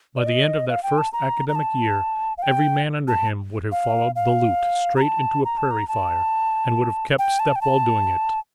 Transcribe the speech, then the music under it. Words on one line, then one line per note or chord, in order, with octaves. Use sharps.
"By the end of that first academic year every man under him would have followed 'the Lieut.' straight into a prairie fire, and would have kept step while doing it."
D5
D#5
F5
G5
A5
A#5
A#5
A5
F5
G5
A5
F5
F5
A#5
A5
A#5
A5
A#5
A5
G5
A5
G5
A5